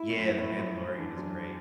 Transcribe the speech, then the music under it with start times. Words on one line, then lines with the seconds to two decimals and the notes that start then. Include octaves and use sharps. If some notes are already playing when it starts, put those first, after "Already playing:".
Yeah, The Mandalorian is great.
Already playing: E4
0.10 A3
0.18 F#2 F#3
0.38 A2 A3
0.57 F#2 F#3
0.97 E2 E3 D4
1.17 F#2 F#3